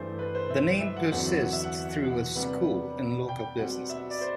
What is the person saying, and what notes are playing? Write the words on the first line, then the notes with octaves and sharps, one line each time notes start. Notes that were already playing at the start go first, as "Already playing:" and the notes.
The name persists through a school and local businesses.
Already playing: G2 E3 A3 E4 C5
B4
C5
E5
E5
F#5
E2 D3 F#3 C4 E4 F#5
F#5
E5
F#5
F#5
F#5
C3 G3 B3 D4 F#5
G5
B2 G3 C4 F#5
E5
D5
C5